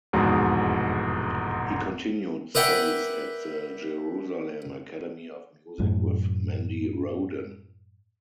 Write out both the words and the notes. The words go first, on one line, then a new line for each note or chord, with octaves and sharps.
He continued studies at the Jerusalem Academy of Music with Mendi Rodan.
F1 E2 G#2 B2
A#4 B4 D5 E5 F#5 G5
F#2 A2